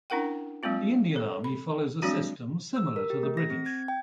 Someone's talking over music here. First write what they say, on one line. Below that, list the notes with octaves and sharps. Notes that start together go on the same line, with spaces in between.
The Indian Army follows a system similar to the British.
C#4 D4 E4 A#4 F#5 G5
F#3 G#3 A#3 C4 F4
A4
B5
F3 F#3 G#3 C4 D4 F#4
E6
A#4
G4
A3
A#6
C4
G#6
G5